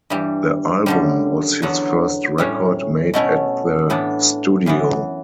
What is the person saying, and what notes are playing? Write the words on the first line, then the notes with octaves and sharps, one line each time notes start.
The album was his first record made at the studio.
G2 E3 G3
F#2 D3 G3
E2 D3 F#3 B3
A2 G3 C#4
B2 A3 C#4 E4
A2 E3 B3 D4
F#2 E3 B3